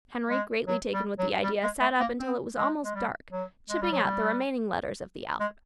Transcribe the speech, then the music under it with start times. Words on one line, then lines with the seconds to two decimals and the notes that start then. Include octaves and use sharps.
Henry, greatly taken with the idea, sat up until it was almost dark, chipping out the remaining letters of the alphabet.
0.30 G#3
0.68 F#3
0.94 G3
1.19 F#3
1.43 G3
1.63 G#3
1.81 A3
2.00 A#3
2.20 C4
2.57 G#3
2.85 G#3
2.95 G3
3.32 F#3
3.70 G#3
3.81 G3
3.92 F#3
4.04 G3
5.40 G#3